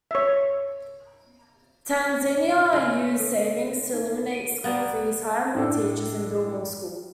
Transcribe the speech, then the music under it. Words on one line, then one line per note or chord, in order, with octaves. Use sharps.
Tanzania used savings to eliminate school fees, hire more teachers, and build more schools.
C#5 E5
C#3 A3
A4
D#4
D7 D#7
G3 A#3 B3 F5 A6
A2 D4 A4